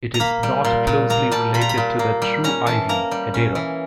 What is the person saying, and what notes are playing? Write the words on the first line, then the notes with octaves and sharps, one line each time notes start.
It is not closely related to the true ivy, "Hedera".
A#5
A#3 B5
G3
A#2
A#2
A#3 A#5
G3 A5
A#2 B5
A#5
B5
A#2
A#3
G3
C#4 A#5
E3 A5
A#3 A#5
G3
C#4
E3